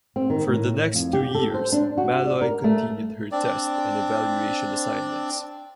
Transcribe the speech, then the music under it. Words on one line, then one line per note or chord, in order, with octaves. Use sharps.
For the next two years, "Maloy" continued her test and evaluation assignments.
C4
D#3
A2
F2
G4
A4
C5
D4
F#4
D5
A#4
A3
C4 D4 D5